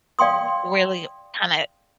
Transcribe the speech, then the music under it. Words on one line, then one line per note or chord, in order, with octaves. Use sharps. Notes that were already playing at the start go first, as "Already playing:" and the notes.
Really kinda
D5 F5 G5 C6 D#6